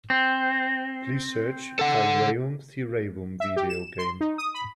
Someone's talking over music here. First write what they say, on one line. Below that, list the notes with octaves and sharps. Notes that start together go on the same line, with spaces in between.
Please search Thirayum Theeravum video game.
C4
A4 F#5
E5
G4
E7
C6
D#4
D#6
B5